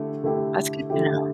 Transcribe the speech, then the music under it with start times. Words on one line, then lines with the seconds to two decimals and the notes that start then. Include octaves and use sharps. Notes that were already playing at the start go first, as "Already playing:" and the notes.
that's good to know.
Already playing: D3 A3 E4 G4
0.24 D3 A3 E4 G4
0.90 D3 A3 E4 G4